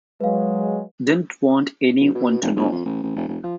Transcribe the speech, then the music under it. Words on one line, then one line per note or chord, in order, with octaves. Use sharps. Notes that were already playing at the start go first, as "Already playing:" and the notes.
Didn't want any one to know.
F#3 G#3 B4 F5
B1
B2
F1
G1
F2
A1
A1
F1
F1
F3